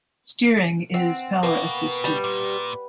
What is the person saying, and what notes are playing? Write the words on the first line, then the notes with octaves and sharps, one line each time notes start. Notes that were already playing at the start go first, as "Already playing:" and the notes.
Steering is power assisted.
C4 F#5
B2 A#3 B4 F#5 G5
G3 B5
A#2